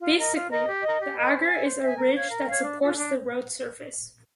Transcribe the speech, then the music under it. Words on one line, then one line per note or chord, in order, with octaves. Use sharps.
Basically the agger is a ridge that supports the road surface.
F4
A#4 D#5
F4
A#4 D#5
G4
A#4 D#5
G4
A#4 D#5
C5
E5 G#5
C5
E5 G#5
A#4
C#5 F5
A#4
C#5 F5
D4
F4 A4
D4